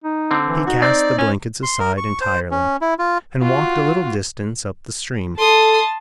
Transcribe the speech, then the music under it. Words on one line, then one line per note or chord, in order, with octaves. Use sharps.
He cast the blankets aside entirely and walked a little distance up the stream.
D#4
D3 C4
E3
D#4 F#4
C4 D5
C#4
C6
A#4
C#6
C5
C#4
E4
F4
F4 F#4
A4 A5 C6 D#6